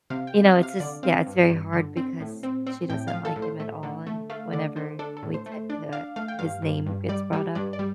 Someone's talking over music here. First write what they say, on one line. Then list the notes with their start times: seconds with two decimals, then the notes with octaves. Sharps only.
you know, it's just, yeah, it's very hard because she doesn't like him at all, and whenever we tend to his name gets brought up,
0.10 C3 F5
0.27 G5
0.34 C3
0.45 F5
0.57 C3
0.63 F5
0.80 D3 D5
1.03 C4 F5
1.26 G2
1.50 G2
1.73 D3
1.97 C4
2.20 A2
2.43 C4
2.67 C4
2.90 A2 G5
3.08 F5
3.13 F3
3.25 A4
3.36 A2
3.42 C5
3.60 A3
3.83 D3
4.07 A3
4.30 A3 F5
4.53 D3 D5
4.76 D3 C5
4.99 D4 A4
5.17 A4
5.23 A2
5.34 C5
5.46 A3
5.52 C5
5.70 D4 D5
5.93 D4 F5
6.16 A3 F5
6.28 G5
6.39 G2 F5
6.62 G2
6.86 G2
7.09 G3 D5
7.33 G3
7.55 G2 D5
7.73 D5
7.79 G3